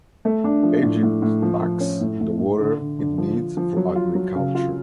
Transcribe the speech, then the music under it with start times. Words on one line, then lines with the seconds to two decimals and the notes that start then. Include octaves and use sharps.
Egypt lacks the water it needs for agriculture.
0.25 A3
0.44 D4
0.63 F3
0.83 A2
1.03 A2
1.22 A2
1.42 F3
1.62 F3
1.80 C#4
2.01 A2
2.20 A2
2.39 A2
2.59 D3
2.79 D3
2.99 D3
3.18 F3
3.37 F3
3.57 F3
3.77 F#3
3.95 F4
4.15 F#3
4.35 C#3
4.55 F4